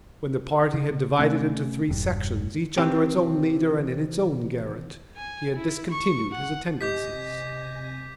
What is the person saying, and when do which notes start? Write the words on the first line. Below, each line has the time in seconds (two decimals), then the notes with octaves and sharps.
When the party had divided into three sections, each under its own leader and in its own garret, he had discontinued his attendances.
0.74 C#3
1.19 C3 A3 C#4
1.89 E1 G2
2.78 C3 D#3 E3 C4 G4
5.17 G#5
5.56 E4
5.91 C#6
6.32 F#5
6.81 C3 G4 D#5 G#5 D6 G6 A#6 B6